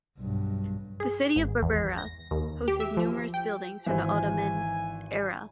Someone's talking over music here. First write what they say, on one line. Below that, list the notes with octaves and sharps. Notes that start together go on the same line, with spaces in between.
The city of Berbera hosts numerous buildings from the Ottoman era.
B1 G2
G#4
G#1
E2
A#6
D#2
G4
E5
F3
G5
G#1 E3 C5 G#5